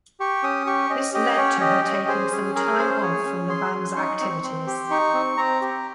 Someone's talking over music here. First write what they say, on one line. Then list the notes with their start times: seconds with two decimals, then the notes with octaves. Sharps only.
This led to her taking some time off from the band's activities.
0.20 G4 C#6
0.43 C#4 D#6
0.67 G4 C#6
0.90 C#4 D#5
1.14 G4 D#5
1.37 C#4 C#5
1.61 G4 D#5
1.84 C#4 D#5
2.08 G#4 C5
2.31 C#4 G#4
2.55 G#4 A#4
2.78 C#4 C5
3.02 G#4 C#5
3.26 C#4
3.49 G#4 C6
3.73 C#4
3.96 D#4 C#6
4.20 C4
4.43 C4 C6
4.67 G4
4.90 D#4 C#6
5.14 C4
5.37 C4 A#5
5.61 G4